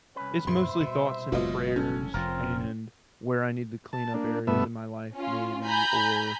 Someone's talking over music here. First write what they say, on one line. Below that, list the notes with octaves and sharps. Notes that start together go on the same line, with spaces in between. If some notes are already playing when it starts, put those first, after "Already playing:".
It's mostly thoughts and prayers and where I need to clean up areas in my life maybe or,
C2 C#4 B4
F#2 A#2 C5 E5 C6
B2
F#1 B2 F#3 G#3 F4 D#5
F2 A2 D3 C#4 A4
F1 F2 F3 C4 F4 A#4
A5
A#3 D4
G2 B2 A3 B3 E5
C#4 F4
G#5 A#5 B5 G6